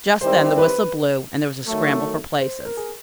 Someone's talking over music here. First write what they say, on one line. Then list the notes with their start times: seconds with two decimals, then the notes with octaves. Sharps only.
Just then the whistle blew, and there was a scramble for places.
0.21 D#3 G3 C4 E4 G4 C5
0.58 B4
1.67 D#3 F#3 A3
2.40 C5
2.65 A#4
2.77 G#4